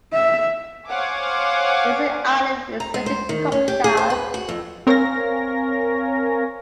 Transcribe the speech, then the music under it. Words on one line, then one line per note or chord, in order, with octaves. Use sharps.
Lizard Island is within Cook Shire.
E5
C5 C#5 F5 F#5 G#5 D6
A#5
G#3
C5
D#3
C#4
G4
G#4
C5
B4
F#4
F2
C4 A#4 C#5 F5 G#5 A#6